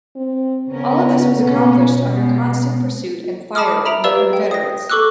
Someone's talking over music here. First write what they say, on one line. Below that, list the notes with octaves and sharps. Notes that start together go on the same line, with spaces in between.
All of this was accomplished under constant pursuit and fire from the Confederates.
C4
C#3 B3 C#4 A#4
B2 C#4
B2 G#3
A5 B5 D6 D#6 F6
E5 A#5 B5 D#6 D7 F7
G4 B4 D5 F5 E6
G5
D#6 A#6
A4 C#6 D6 E6 F#6